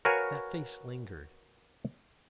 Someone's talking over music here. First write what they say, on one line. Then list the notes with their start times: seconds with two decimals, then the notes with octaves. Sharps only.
That face lingered.
0.05 F#4 A#4 B4 C#5 F5 G#5